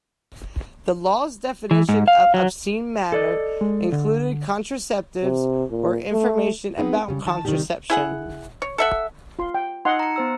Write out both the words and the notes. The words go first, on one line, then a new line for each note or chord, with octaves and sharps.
The law's definition of obscene matter included contraceptives or information about contraception.
E3
G#2
F5
F#3
A4 D5 D#5
G#3
D3
C3
A#2
A3
B3 C4 D#4 G#4 B4
C#3 G3
D#3 A5
C3 D#3 E3 G3 D#4 G4
E4 G#4 F#5
C#5
A4 E5 F#5
F4 C6
G5
D#4 D#5 F#5 C6
A#5 C#7
B3 C5 E6